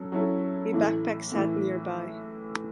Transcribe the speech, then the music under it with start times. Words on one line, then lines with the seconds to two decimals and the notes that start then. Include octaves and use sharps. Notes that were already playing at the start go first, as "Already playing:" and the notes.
A backpack sat nearby.
Already playing: F#3 C#4 A4
0.12 F#3 C#4 E4 A4
0.73 A2 E3 A3 E4
1.32 A2 E3 A3 E4